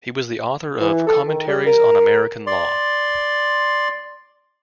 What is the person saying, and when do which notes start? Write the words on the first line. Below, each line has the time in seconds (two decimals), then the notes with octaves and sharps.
He was the author of "Commentaries on American Law".
0.81 E3
1.06 A4
1.27 D#3
1.48 G3
1.66 A#4
2.47 D5 C6